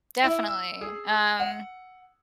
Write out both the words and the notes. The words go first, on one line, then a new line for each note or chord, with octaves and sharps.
Definitely, um,
E4
E6
G#4
F#5